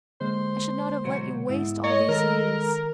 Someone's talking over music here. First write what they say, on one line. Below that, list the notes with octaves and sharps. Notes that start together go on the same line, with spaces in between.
I should not have let you waste all these years.
D3 G#3 A#3 C5
B2 F#3 F#5
G#2 B3 E4
C#5 D#5
D#3 G#3 A4 A#4